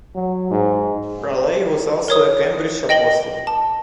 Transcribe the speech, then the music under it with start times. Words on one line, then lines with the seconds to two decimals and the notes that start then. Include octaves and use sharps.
Raleigh was also a Cambridge Apostle.
0.15 F#3
0.51 G#2
2.08 A#4 C#5 D#6
2.89 D#5 G5 A#6 F#7 G7
3.47 A5